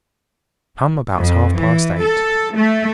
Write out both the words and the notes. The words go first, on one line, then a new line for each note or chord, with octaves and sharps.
Come about half-past eight.
F2
E3
A4
A3